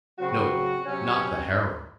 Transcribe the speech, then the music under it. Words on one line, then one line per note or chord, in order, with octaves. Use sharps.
Nope, not the harem.
C#3 F#3 C4 F#4
C3 F#3 C#4